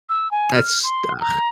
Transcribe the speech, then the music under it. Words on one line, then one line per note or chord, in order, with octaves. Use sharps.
That's ugh.
E6
G#5
F6
C6
A#5